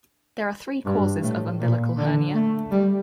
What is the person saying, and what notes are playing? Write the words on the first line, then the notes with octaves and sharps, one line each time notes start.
There are three causes of umbilical hernia.
G2
A2
A#2
D3
A3
G3